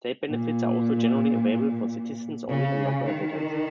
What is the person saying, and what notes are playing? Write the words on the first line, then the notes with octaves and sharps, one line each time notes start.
State benefits are also generally available for citizens only and not residents.
A#2
C#3
D#3